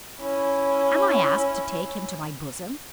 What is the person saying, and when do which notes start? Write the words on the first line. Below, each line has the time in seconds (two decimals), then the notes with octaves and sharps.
Am I asked to take him to my bosom?
0.18 C#4 E4